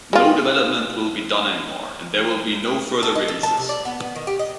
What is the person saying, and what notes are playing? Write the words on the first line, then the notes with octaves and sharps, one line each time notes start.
No development will be done anymore, and there will be no further releases.
G#3 F4
A4
D#5
A4
A5
C3
D5
B3
B3
D#3
G4
D#5